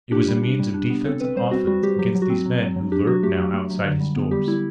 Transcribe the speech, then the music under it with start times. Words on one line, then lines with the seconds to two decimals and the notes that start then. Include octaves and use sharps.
It was a means of defense and offense against these men who lurked now outside his doors.
0.11 D4 G4
0.28 G3
0.42 D4
0.59 G3
0.74 D4
0.90 B3
1.05 C4 A4
1.20 C4 B4
1.36 G3 C5
1.51 C4 F#4
1.67 G3 F#4
1.83 G3 G4
1.98 F#3 G4
2.15 F#3
2.22 F#4
2.30 C4
2.46 F#3
2.61 F#3
2.76 F#3
2.92 D4 G4
3.07 F#3 F#4
3.23 A3 G4
3.39 F#3
3.54 A3
3.70 F#3
3.85 D3
4.00 G3
4.16 B3
4.31 G3 G4
4.48 G3 E4